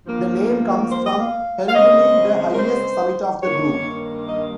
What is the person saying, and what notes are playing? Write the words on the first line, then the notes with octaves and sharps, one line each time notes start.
The name comes from Helvellyn, the highest summit of the group.
G2 F3 A#3
C5
D#5
F5
F5
C#3 G#3 C4 D#5
A#4
C5
G2 D#3 A#3 C#5
D#5